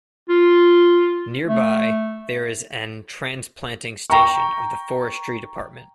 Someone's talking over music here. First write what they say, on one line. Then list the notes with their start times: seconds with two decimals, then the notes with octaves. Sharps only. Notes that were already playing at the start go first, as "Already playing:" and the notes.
Nearby, there is an transplanting station of the Forestry Department.
0.29 F4
1.47 A3
4.10 G5 A#5 C#6